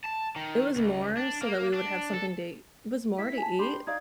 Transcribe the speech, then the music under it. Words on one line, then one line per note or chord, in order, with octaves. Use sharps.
It was more so that we would have something day it was more to eat,
A5
D#3
C#2
D4
A#3
D4
A4
E4 B6
G#5 A5
D4 G4 B5 C6
D#4 D5 F5 G#6